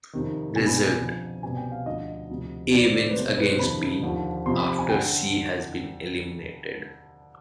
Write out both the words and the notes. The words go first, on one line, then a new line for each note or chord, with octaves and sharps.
Result: A wins against B, after C has been eliminated.
F2 C3 D#3
C2 B2 G#5
B5
G#5
F2 D3 F3
C2 B2 G#5
G5
F5
D2 D3 F3 D#5
D2 C3 F3
F2 C3 D#3 D5
C5
D5
B4
C2 B2 C5
B4
C5
F2 C3 D#3 B5
D#2 D3 F3
F2 C3 F3 C6
B5
B5
G#5
D3 G5